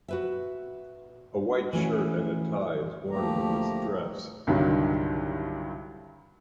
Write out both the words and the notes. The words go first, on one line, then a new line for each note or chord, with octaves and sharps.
A white shirt and a tie is worn with this dress.
F#4 B4 E5
E3 A3 C#4 F#4
D2 F3 A3 A#3 G4 A#5
C2 G2 D3 D#3 F#3